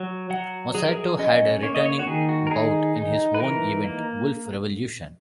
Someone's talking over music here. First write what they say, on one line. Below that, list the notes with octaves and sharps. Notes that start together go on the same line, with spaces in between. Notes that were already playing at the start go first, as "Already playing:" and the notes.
Masato had a returning bout in his own event "Wolf Revolution".
Already playing: F#3
F#3 F#5
F#3 G#4
A#4
G#4
C#4 D#5
A#3 C#5
D#5
C#5
F#4
D#3 G#4
F#4
A#4
D#4 G#4
D#4
B4
E3 A#4
A#3